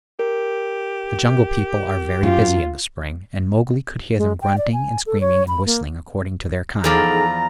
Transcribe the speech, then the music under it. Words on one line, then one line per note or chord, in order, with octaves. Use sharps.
The Jungle People are very busy in the spring, and Mowgli could hear them grunting and screaming and whistling according to their kind.
G4 A#4
F#2 F4
G#3
G5
D5
G#5
A4
C#5
B5
A#3
E2 F3 D#4 G#4 A4 D5 A#5